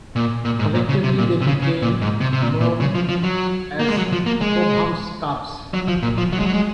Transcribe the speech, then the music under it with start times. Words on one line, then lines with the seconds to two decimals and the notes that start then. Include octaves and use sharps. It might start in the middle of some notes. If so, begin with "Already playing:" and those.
Collectively they became known as Cobham's Cubs.
0.16 A#2
0.45 A#2
0.59 G#2
0.75 A#2
0.89 C#3
1.04 C3
1.18 A#2
1.41 C3
1.47 C#3
1.62 C#3
1.82 A#2
2.02 G#2
2.21 C3
2.33 C3
2.41 A#2
2.61 A#2
2.80 C#3
2.95 F3
3.09 F3
3.24 F#3
3.79 A#3
3.89 G#3
3.97 F#3
4.13 F3
4.26 A#3
4.41 G#3
5.74 F#3
5.88 F3
6.03 A#2
6.18 F3
6.32 F#3
6.39 G#3
6.46 F#3
6.53 G#3